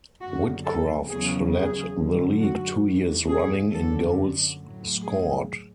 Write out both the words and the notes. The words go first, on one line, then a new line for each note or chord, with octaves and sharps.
Whitcroft led the league two years running in goals scored.
F#2 D3 F#3 F#4
A4
E2 C#3 F#3 G#4
G#4
F#2 D3 F#3
F#4
E2 C#3 E3
G#4
F#2 D3 F#3 A4
A2 F#3
G#4